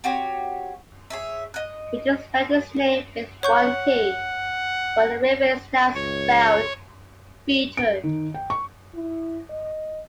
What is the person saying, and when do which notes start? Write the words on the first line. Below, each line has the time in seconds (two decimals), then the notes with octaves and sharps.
Beaton spelled his name with one "t" but the river is now spelled Beatton.
0.04 C4 F#4 G4 C#5
1.10 G#4 C#5 E5
1.54 D#5 F#6
3.43 C#5 F#5 C#6 G6
5.94 C#2 C#5
7.77 D7
8.04 D#3
8.34 G5
8.50 C#6
8.95 E4
9.50 D#5